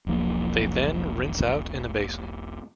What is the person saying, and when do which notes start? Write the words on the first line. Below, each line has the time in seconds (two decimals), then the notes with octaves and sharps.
They then rinse out in a basin.
0.07 E1 B1 F3 A#3